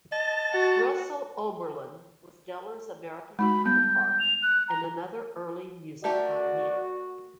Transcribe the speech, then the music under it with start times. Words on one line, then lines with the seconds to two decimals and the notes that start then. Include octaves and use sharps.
Russell Oberlin was Deller's American counterpart, and another early music pioneer.
0.12 D#5 A5
0.53 F#4
3.39 G#3 D#4 F#4 B5
3.65 G3 B3 G6
4.20 F7
4.42 F#6
4.68 A#5
6.04 A3 F#4 G4 A#4 D5